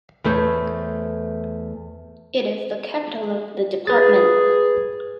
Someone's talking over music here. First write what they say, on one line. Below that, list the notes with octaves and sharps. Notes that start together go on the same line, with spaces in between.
It is the capital of the department.
E2 A3 C5 C#5
G#4 B4 A6